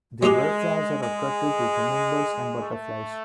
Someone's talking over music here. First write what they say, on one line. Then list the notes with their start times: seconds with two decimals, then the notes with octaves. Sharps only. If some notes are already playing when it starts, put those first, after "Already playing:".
The red flowers are attractive to hummingbirds and butterflies.
0.22 F#3 G#3 A#3 D#4 G4
1.03 G#3
2.62 A3